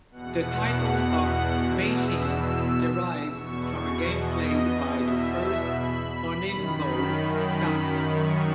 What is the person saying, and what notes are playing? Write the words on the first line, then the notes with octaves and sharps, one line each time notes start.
The title of "Meijin" derives from a game played by the first Honinbo, Sansa.
E2 B2 F#5
E6
E2 C#6
B2
D#5
E5
B5
F#2 D#3
B5
C#6